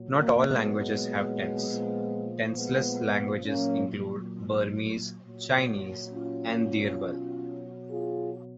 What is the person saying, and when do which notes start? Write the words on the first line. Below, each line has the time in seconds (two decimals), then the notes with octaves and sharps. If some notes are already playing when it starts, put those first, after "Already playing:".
Not all languages have tense: tenseless languages include Burmese, Chinese and Dyirbal.
Already playing: A#2 F#3
0.19 A#3
0.48 G#3 B3
1.67 A#2 F3
2.56 G#3 B3
3.44 A#2 F#3 A#3 C#4
5.23 A#2 F#3
6.12 C#4 F4
7.01 B2 F#3
7.90 F4 G#4